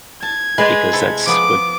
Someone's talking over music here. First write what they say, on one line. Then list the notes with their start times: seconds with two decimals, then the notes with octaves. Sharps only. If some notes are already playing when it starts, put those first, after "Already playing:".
because that's what,
0.22 A5 G#6
0.58 G#3 B4 D5
0.93 C3 E4 A4
1.27 F3 B3 D6